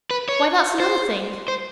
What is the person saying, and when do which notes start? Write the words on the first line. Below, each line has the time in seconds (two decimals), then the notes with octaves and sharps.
'Why, that's another thing.
0.11 B4
0.29 C#5
0.80 C5
1.48 C5